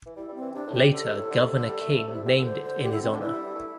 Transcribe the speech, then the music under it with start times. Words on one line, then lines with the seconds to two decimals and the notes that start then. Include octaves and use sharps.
Later Governor King named it in his honour.
0.06 E3
0.15 G3 E4
0.29 G3
0.35 C4
0.41 E3
0.54 C3 D4
0.67 A2
0.73 G4
0.82 C3
0.92 D3 A4
1.05 C3
1.18 A2
1.31 D3
1.43 C3
1.56 D3
1.69 G3
1.81 A3
1.94 A3
2.07 C3
2.13 E4
2.24 D3 G4
2.34 A4
2.44 C5
2.63 C5
2.82 G4
2.92 E4
3.02 C4
3.11 D4
3.20 E3 E4
3.33 G3
3.46 G3
3.55 A3